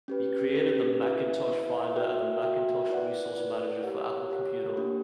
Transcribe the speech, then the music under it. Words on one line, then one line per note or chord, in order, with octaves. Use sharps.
He created the Macintosh Finder and the Macintosh Resource Manager for Apple Computer.
C#4 G4 B4
C#4 G4 B4
E4 B4 E5
E4 B4 E5
F#4 A#4 E5 G5
F#4 A#4 E5 G5
E4 B4 D5 F#5
E4 B4 D5 F#5
G4 A#4 C#5 F#5
G4 A#4 C#5 F#5
A#3 D4 G4